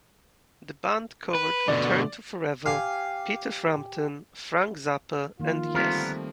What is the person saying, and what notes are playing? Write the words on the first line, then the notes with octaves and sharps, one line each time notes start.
The band covered Return to Forever, Peter Frampton, Frank Zappa and Yes.
B4
B2 D3 D5
G4 F5 G#5
D#3 F3 A#3 F4
D2 F3 G3 A3 B3 C4 A#4